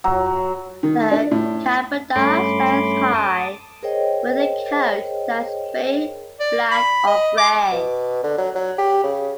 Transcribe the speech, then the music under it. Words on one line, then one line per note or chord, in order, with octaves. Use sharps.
The Kabarda stands high, with a coat that is bay, black, or gray.
F#3
D#3
D4
A2
G2 A3 C#4 B5 C6 D6
A5 D6 D#6
G#4 A#4 C5 C#5 D#5 G5
D5
B5
D#5
D6
B2
D3
F#3
F#3
G4
C#3